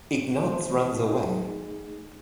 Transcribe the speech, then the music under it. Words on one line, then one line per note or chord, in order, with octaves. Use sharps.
Ignatz runs away.
E3 A3 C5
A3 D#4 G#4